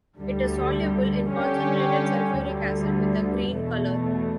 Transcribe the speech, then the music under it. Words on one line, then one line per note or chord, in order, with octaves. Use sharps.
It is soluble in concentrated sulfuric acid with a green color.
D2 D3 G3
D3 G3 C#4 G4
D2 D3 G3
E2 B2 A3